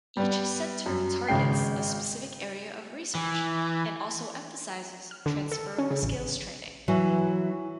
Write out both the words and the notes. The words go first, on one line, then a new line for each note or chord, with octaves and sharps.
Each Centre targets a specific area of research, and also emphasises transferable skills training.
G3 B3
F#2
G#1 C#3 G#3 G5 C7
E3
F6
D3
A4
C#4
C#3
A1
E3 F#3 E4